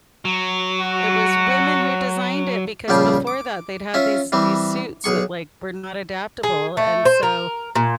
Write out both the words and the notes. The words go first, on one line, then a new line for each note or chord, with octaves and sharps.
It was women who designed it because before that they'd had these these suits that, like, were not adaptable and so
F#3
F#4
A#1 C#3 G3 F4 G5 A5
D6
C#4 F4 E5
E3 G3 C4
B1 G#4 C#6
G#4
A3
C5
A#4
A#2